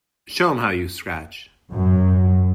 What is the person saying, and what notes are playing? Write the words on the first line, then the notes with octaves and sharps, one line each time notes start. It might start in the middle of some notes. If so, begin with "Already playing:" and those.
Show 'em how you scratch.
F#2